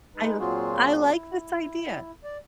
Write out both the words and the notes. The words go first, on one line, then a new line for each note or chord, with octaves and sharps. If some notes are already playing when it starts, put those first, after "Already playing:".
I I like this idea.
G#3 D#4 B4
A#2 F#3 C4 F4 F#4 G#4
E4
D5